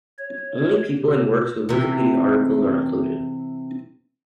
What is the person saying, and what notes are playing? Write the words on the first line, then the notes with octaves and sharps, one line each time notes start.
Only people and works with Wikipedia articles are included.
C#5
C3
C3 E3